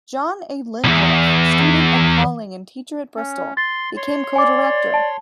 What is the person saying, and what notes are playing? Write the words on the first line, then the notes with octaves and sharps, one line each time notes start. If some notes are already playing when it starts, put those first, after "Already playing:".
John A. Lindlof, student at Pawling and teacher at Bristol, became Co-Director.
B1 E2
C#4
C6 A6
C#5 C6
D5 G#5 D6
A5